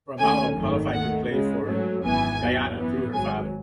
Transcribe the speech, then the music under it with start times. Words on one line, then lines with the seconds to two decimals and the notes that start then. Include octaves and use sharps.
Ramalho qualified to play for Guyana through her father.
0.18 D#2 D#3 A3 C#4 G#5
0.56 G#1 F#2 D#3 A3
0.93 D#2 D#3 A3 F#5
1.30 C#2 C#3 G#3
1.66 G#2 F#3 A3 C#4
2.03 G#1 F#2 E3 B3 G#5
2.39 E2 B2 F#3
2.77 F#2 E3 B3
3.13 G#1 G#2 F#3 G#5